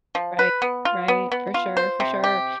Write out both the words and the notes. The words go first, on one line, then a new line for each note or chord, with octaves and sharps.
Right, right, for sure, for sure.
F3
B4
B3
F4
B3
B3
F4
C5
C3
G4